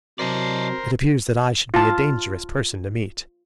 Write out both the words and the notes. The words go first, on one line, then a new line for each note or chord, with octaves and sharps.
It appears that I should be a dangerous person to meet.
C3 F#3 A#4 C5 D5 D#5 A5
F4 A5